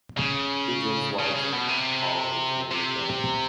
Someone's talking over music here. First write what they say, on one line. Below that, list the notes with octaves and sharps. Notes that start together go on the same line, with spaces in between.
Who drinks why can’t call his neighbor drunk.
C#3
C#3
C#3
B2
C3
C3